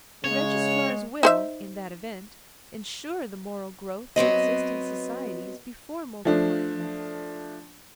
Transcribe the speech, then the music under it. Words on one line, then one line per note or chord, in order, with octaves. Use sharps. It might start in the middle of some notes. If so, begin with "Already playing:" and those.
The registrars will, in that event, ensure the moral growth of existing societies before multiplying them.
C#3 G#3 C#5
D#4 C5 E5
F#3 B3 C4 D#5
F3 A3 D4